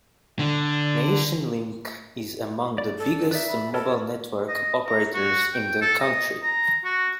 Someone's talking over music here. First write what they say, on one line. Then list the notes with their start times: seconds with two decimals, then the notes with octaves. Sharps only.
Nationlink is among the biggest mobile network operators in the country.
0.39 D3
2.78 D5
2.98 A4
3.31 D#4 B4 D5 E5
3.48 B5
3.74 A4 A#4 C#5 A5
4.48 D#5
4.87 A#5
5.14 F#4
5.54 G5
5.81 A4
6.00 D#5
6.43 A#5
6.84 F#4